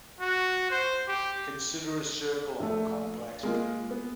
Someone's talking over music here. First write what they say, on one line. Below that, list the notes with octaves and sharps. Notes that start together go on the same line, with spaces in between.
Consider a circle on the complex plane.
F#4
C5
G4
A#1 A3
G#3 A#3 F4
B3